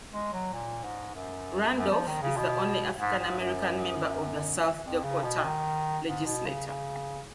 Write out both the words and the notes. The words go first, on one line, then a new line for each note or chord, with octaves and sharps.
Randolph is the only African American member of the South Dakota Legislature.
G#3
F#3
A#2
G#2
F#2
F#2
F3
D#3
C#3
B2
G#2
G#2
F#2
F2
C#3
B2
D#3
G#2
B2
C#3
C#3